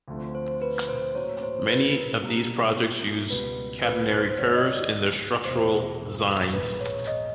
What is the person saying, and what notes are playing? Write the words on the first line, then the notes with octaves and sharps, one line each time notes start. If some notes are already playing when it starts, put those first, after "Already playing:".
Many of these projects use catenary curves in their structural designs.
D2 D3 F3 A3 C4
C5
B4
C5
A2 F#3 A#3 C#4 F#4 C#5
C5
B4
A#4
B2 G3 A#3 D4
C#2 B2 G3 B4
B4
C5
G2 D3 F#3 B3 E4 C#5
D#5
D5
E1 E2 B2 C5
G#4
A#1 G#2 D#3 G#3 B4
C#5
D#5